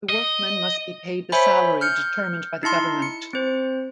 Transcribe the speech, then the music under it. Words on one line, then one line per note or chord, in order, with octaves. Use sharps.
The workmen must be paid the salary determined by the government.
D#5
C5 C#5 E5 G#5 B5
F6 G6 C#7
D#4 E4 A5 C6
C#7
C4 C5